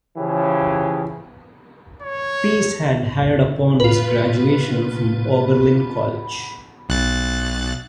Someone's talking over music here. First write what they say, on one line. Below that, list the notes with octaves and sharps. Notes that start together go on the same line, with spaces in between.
Pease had hired upon his graduation from Oberlin College.
C#3 E3 F3 C#4 G4
C#5
F4 B4
B1 F#6 A6